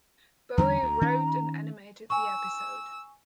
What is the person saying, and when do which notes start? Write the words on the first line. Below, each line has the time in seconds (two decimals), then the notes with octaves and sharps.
Boe wrote and animated the episode.
0.58 E2 D3 G3 A#5
0.83 D2
1.01 D#3 C#4
2.10 G#5 C#6 E6